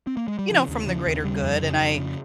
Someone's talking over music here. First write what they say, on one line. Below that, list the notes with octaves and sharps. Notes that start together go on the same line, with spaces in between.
you know, from the greater good, and I
C4
A#3
G#3
G3
C#3 F3
D#2
C#3 F3
D#2
C#3 G3
F2
C#3
F2
C#3